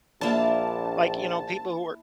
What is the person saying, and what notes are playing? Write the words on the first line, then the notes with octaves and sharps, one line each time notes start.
like, you know, people who are
A#1 A#3 D4 E4 E5 A5